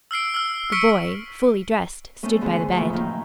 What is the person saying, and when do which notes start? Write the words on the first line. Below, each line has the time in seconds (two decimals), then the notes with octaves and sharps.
The boy, fully dressed, stood by the bed.
0.11 E6 F6 C7 D7
0.34 E6 F6
0.72 C#6 F6 B6 C#7 D7
2.23 A3 B3 C#4 A4 C5 D#5
2.41 G#2 D3 B3 G#4 B4 C5
2.76 F#2 A2 C#3 F3 A#3
2.93 D#3 A#3